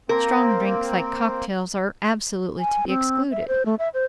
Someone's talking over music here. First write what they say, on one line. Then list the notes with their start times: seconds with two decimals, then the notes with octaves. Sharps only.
Strong drinks like cocktails are absolutely to be excluded.
0.09 A#3 C4 A#4
2.57 G#5
2.88 C4
3.31 E5
3.48 C5
3.66 A3
3.79 E5
3.94 C5